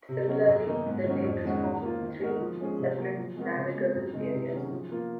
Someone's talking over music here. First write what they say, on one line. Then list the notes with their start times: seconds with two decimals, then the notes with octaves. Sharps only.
Similarly, the lakes form three separate navigable areas.
0.09 C3
0.28 F#3 C#4
0.47 F#2
0.66 D#3 A#3 D#4
0.86 G#2
1.05 D#3 F#3 C#4
1.24 F2
1.44 D#3 G#3 C#4 F#4
1.63 D#3
1.82 A#3 F4
2.01 D#3
2.20 G#3 D#4 F#4 A#4
2.40 F3
2.59 G#3 C#4 G#4
2.78 C3
2.98 F#3 A#3
3.17 F3
3.36 G#3 C4 F#4 A#4
3.56 C#3
3.75 G#3 C4
3.94 F#2
4.13 C#3 G#3 C4 D#4
4.33 C3
4.52 D#3 F#3 C#4 G#4
4.71 F3
4.91 A#3 F4